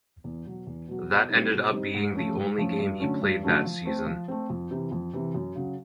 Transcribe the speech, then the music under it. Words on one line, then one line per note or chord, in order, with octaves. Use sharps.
That ended up being the only game he played that season.
E2
B2 F#3
E2
B2 F#3
B2
G3 C4 D#4
B2
G3 C4 D#4
G#2
F3 A3 C#4
G#2
F3 A3 C#4
G2
D3 F#3 A3 C#4
G2
D3 F#3 A3 C#4
F3
A3 C4
F3
A3 C4
F2
C3 E3
F2
C3 E3
F#2
C#3 F#3